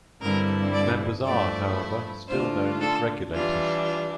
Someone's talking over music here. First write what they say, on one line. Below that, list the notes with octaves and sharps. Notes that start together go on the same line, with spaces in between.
Members are, however, still known as "Regulators".
G2 D3 G3 C4 E4 A#4
D5
G2 F3 A3 E4 D5
D3 A3 D4 F4 C5
A4
E3 G3 D4 F4
F4